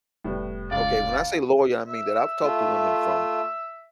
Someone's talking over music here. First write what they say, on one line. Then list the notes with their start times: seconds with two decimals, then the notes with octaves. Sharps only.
Okay, when I say loyal, I mean that I've talked to women from
0.24 F1 A2 G3 B3
0.71 C#2 D5 F5
1.88 E5
2.43 A3 F4